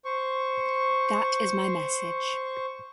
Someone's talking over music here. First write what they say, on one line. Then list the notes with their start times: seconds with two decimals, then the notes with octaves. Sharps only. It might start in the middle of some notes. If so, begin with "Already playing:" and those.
That is my message.
0.05 C5 C#6